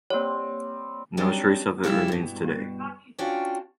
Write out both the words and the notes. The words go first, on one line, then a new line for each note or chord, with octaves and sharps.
No trace of it remains today.
G3 A#3 C4 C#5
F#3 G3 C4 D4 D#4
C#3 G3 A#3 D#4 E4
G2 B2
C#4 D4 F4 F#4 G5